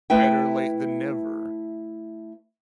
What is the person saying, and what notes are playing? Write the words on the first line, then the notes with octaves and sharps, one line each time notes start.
Better late than never.
A3 E4 B4 E5 G5